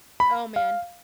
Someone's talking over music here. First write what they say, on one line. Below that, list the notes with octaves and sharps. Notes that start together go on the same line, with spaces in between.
Oh, man.
B5
F5